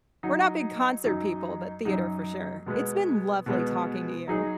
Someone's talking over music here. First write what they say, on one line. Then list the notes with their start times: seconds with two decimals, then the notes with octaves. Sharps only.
We're not big concert people, but theater for sure, it's been lovely talking to you.
0.23 F#3 D#4 F#4
1.04 F#2 F#3 D#4
1.85 F#2 F#3 D#4
2.66 B2 G#3 B3
3.46 B2 G#3 B3
4.28 F#3 D#4 G#4